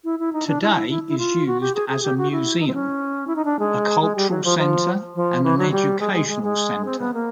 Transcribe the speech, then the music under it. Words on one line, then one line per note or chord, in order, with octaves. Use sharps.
Today, it is used as a museum, a cultural center, and an educational center.
E4
E4
D#4
D4
E4
E4
E4
E4
F4
F#4
G4
G#4
G#4
G4
F#4
E4
D#4
C4
C#4
E4
D#4
D4
G#3
G#3
G3
F#3
F3
F3
F3
E3
F#3
G3
G#3
G#3
G#3
G#3
C4
B3
A#3